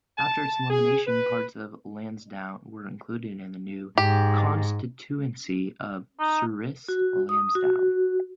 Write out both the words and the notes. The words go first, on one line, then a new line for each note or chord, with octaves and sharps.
After its elimination, parts of Lansdowne were included in the new constituency of Souris-Lansdowne.
A5
G#4
B4
G#2 G4
D#4
F#4
D#6
F#4